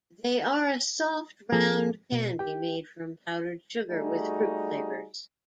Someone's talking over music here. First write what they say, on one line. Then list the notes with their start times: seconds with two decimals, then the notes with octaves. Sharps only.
They are a soft round candy made from powdered sugar with fruit flavors.
1.52 F3 A#3 C4 G#4 A4
2.12 B2
2.39 G4 G5
3.91 G3 A3 D#4 F#4 G#4